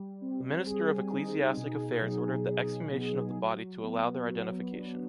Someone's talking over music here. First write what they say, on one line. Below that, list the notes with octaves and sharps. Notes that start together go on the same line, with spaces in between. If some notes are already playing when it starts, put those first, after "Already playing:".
The Minister of Ecclesiastic Affairs ordered the exhumation of the body to allow their identification.
Already playing: G3
C4
G#4
D#4
B2
F#3
D#4
B3
F#3
B3
F#3
D4